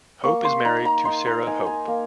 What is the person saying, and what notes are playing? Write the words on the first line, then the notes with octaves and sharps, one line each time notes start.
Hope is married to Sarah Hope.
A#3 C#6
C6
D#4 A#5
A#5
D#4 C6
A#5
D#4 G#5
G#5
A#3